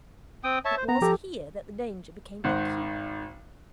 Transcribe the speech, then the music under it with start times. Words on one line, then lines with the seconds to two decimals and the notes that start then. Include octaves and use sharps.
It was here that the danger became acute.
0.44 C4 G5 D#6
0.65 C#5 E5 A5
0.77 C5
0.89 B3 A#5
1.01 F3 G4 A4
2.44 G#1 D#3 C5 F#5 F#6